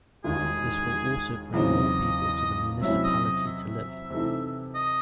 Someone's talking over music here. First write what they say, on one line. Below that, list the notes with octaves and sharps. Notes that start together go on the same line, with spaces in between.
This will also bring more people to the municipality to live.
E1 D#2 D#3 G#4
E2 C#3 F#3 C4 D#4 D#5
C3 F#3 C#4 E4 E5
D#5
D#5
E5
C3 E3 A3 D#4
D#5